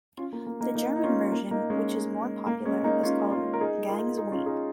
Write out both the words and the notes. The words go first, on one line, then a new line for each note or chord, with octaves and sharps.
The German version, which is more popular, is called "Ganz Wien".
C#4 F4
A#3
A#3
A#3 D#4
A#3 D#4
D#4
C#4 F4
A#3
A#3 D#4
G#3 C#4
A#3
G#3 C#4
A#3 D#4
C#4 F4
C#4 F4
A#4
D#4 G#4
F4 A#4
D#4 G#4
C#4 F4
D#4 G#4